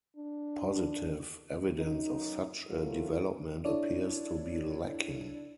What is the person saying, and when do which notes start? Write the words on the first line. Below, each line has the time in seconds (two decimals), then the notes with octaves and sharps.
Positive evidence of such a development appears to be lacking.
0.17 D4
1.76 F#2 D#4
2.70 F#3 C4 E4 F4 A4 A#4
3.65 D4 E4 A4 C#5 D5